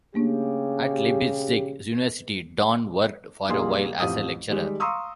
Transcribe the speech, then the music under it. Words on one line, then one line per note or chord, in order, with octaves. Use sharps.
At Leipzig University Dorn worked for a while as a lecturer.
C#3 A3 A#3 D4 G4
B1 G3 A#3 G#4 C6
A1 F2 G4 F5 D#6
D#3 G3 G#3
F5 A#5 C6 C#6 D#6 E6